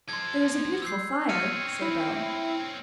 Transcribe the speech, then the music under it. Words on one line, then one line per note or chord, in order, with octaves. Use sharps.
"There's a beautiful fire," said Bell.
F3 A4 C6 G#6
E6 G6 C7
C4 C#5 F6 C#7 D#7
E4